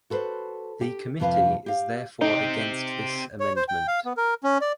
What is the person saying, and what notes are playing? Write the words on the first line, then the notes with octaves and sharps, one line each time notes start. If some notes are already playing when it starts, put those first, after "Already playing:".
The committee is therefore against this amendment.
F#4 A4 B4 C5
G4
F2 C3 F3 B4 F5
G4 F5
C4 D#4 G4
C#5
C5
G5
F5
B3
A#4
C#4
D5